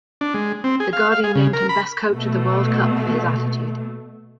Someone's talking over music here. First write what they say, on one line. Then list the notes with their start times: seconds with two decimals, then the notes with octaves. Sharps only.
The Guardian named him "Best Coach of the World Cup" for his attitude.
0.21 D4
0.34 G#3
0.64 C4
0.80 G#4
0.93 F5
1.12 F5
1.24 G#4
1.35 C#3
1.53 A#4
1.69 B5
2.10 B2 A3